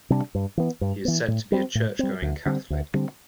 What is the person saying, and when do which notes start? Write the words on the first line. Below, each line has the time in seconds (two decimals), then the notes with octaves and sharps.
He is said to be a Church-going Catholic.
0.10 C3 G3 D4
0.35 G2
0.57 E3 B3
0.81 G2
1.05 E3 B3
1.28 A2
1.52 G3 C4
1.75 A2
1.99 G3 C4
2.22 D2
2.46 D3 G3 C4
2.70 D2
2.94 D3 G3 C4